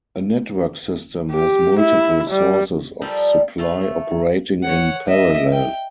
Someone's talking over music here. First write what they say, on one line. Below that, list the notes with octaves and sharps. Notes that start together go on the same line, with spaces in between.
A network system has multiple sources of supply operating in parallel.
G4
E4
G3
F3 G3 A4 A#4
A3 F4 E5
C#5 F#5
D#5 E5
G5